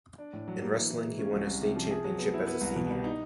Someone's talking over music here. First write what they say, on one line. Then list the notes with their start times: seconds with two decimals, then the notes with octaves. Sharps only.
In wrestling, he won a state championship as a senior.
0.18 D4
0.33 A2
0.48 F#3
0.62 A#3
0.76 E3
0.90 E3
1.04 G#3
1.19 C#4
1.33 C2
1.47 C2
1.61 C3
1.76 F3
1.91 G#4
2.04 F#3
2.18 B3
2.34 E4
2.47 B3
2.61 C2
2.76 B2
2.90 G3
3.04 D#4